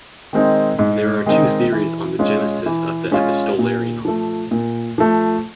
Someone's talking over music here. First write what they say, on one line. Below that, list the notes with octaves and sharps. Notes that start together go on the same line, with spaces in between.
There are two theories on the genesis of the epistolary novel.
D#3 G#3 C4 D#4
G#2
D#3 G#3 C4 D#4
E3
G#3 C#4 F4
E3
G#3 C#4 F4
A#2
F3 A3
A#2
F3 A3